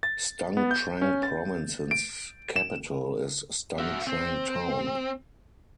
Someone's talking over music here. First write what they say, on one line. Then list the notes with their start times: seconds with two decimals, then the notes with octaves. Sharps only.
Stung Treng Province's capital is Stung Treng town.
0.03 A6
0.57 B3
0.71 G6
1.02 C#4
1.23 A6
1.91 D7
2.56 E7
3.79 F#4 E5
4.07 C4